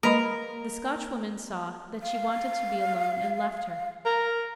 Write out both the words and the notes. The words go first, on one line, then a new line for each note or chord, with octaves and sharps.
The Scotchwoman saw that she wanted to be alone and left her.
G#3 A#3 A#4 B4 D#5
F5
A#4